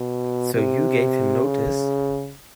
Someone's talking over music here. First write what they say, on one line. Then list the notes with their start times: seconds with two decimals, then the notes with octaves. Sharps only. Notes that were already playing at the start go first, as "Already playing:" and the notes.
So you gave him notice?
Already playing: B2
0.54 C3
1.44 C#3